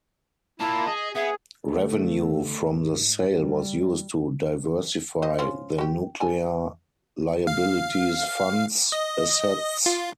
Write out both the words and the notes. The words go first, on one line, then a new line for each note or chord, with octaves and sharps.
Revenue from the sale was used to diversify the Nuclear Liabilities Fund's assets.
A#3 E4 F4 A5
G#4 D#5
B3 G#4 E5
D3 A3
G#2
G3
C5 D#5
C#4 F4 C5
F#4 G4
G#5 A5
F5
D#5
F4